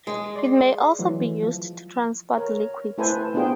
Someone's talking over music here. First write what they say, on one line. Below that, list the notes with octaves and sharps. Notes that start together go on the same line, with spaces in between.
It may also be used to transport liquids.
G#3
D5 C6
E3 F#3 A3
F3
A#4 C#5
A3 E4 A4 B4 C5 G#5
B3 D4 F4 G#4 C5 G5